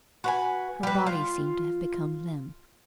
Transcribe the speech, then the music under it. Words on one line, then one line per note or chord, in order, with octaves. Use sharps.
Her body seemed to have become limp.
F#4 B4 G#5
G3 B4
F4